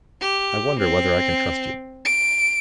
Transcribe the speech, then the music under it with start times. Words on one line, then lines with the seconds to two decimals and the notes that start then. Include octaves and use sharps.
I wonder whether I can trust you?
0.21 G4
0.79 C4
2.05 D7